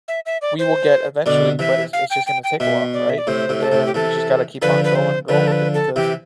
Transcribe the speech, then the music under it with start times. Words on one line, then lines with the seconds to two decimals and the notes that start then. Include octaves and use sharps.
we will get eventually, but it's it's just gonna take a while, right? And, we just gotta keep on going and going with it because
0.08 E5
0.26 E5
0.42 D5
0.59 C5
1.26 B2 D3 D5
1.59 C3 E3 E5
1.93 F5
2.10 G5
2.26 G5
2.44 G5
2.60 B2 E5
2.94 D5
3.10 E5
3.18 D5
3.27 A2 C3 C5
3.49 A2 C3
3.61 A4
3.72 A2 C3
3.86 G4
3.94 C3 E3 A4
4.62 D3 F3 B4
4.84 B4
4.95 C5
5.29 D3 F3 B4
5.47 A4
5.52 B4
5.74 A4
5.96 C3 E3 G4